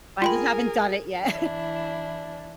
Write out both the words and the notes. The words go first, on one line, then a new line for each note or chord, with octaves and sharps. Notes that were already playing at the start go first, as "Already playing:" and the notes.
But I just haven't done it yet.
F4 G#4 A#4 G5 G#5 B5
E3 D4 E4